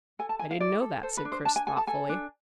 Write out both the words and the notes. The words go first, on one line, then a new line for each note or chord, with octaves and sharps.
"I didn't know that," said Chris thoughtfully.
A4 G#5
A5
E4 G#5
F5
E4 D5
A4
A4 C5
B4
D4
C5
D4 A5
G#5
A4 G#5
A5
A4 G#5
D4